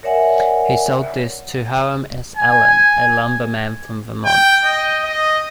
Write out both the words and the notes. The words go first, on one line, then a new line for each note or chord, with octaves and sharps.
He sold this to Hiram S. Allen, a lumberman from Vermont.
A#4 C#5 D5 E5 F#5 G#5
G#5
G5
D#5
D#5